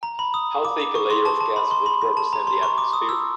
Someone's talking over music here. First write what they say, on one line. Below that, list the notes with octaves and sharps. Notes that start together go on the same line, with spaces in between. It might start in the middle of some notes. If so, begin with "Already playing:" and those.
How thick a layer of gas would represent the atmosphere?
A#5
B5
D#6
D6
D6
C#6
C6
A5
A5
B5
C6
B5
B5
A5
A#5
C6
C#6
D6
D#6
E6